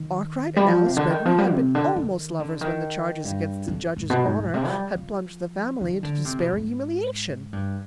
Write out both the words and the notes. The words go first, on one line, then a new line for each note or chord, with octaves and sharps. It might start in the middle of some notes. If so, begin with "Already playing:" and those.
Arkwright and Alice Greggory had been almost lovers when the charges against the Judge's honor had plunged the family into despairing humiliation.
Already playing: D#3
G3
F3
C3
D3
D#3
F3
G3
C3
D3
D#3
D3
D#3
G2
F2
G#2
B2
G#2
B2
C3
G3
F3
D#3
D3
C3
B2
G#2
G2